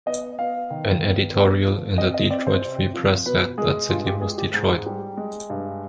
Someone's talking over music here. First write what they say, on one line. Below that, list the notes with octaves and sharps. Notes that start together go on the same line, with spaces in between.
An editorial in the "Detroit Free Press" said that city was Detroit.
B3 D#5
B3 F5
D#3
B3
B3
F3
C4 D#5
D#5
C4 D5
C5
C3
F3
B2 B4
G#3 G#4
G2 F4
G4
G#3 G#4
G4
G#2
G3
G#3
G2